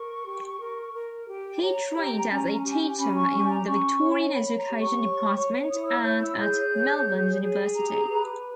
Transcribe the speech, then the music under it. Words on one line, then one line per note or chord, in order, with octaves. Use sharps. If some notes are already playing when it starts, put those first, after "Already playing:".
He trained as a teacher in the Victorian Education Department and at Melbourne University.
Already playing: A#4 C#6
G4
A#4
A#4
G4
C#5 A#5
G4
C#4
G4
C#4 B5
C#6
G4 C#6
A#5
C#4 C#6
C#5
C#5 B5
A#5
G4
C#6
C#5
C#5
E4 D#6
E6
C#5 G6
E6
G#4 G6
C#5
G#4
G#4
G4 A#5
B4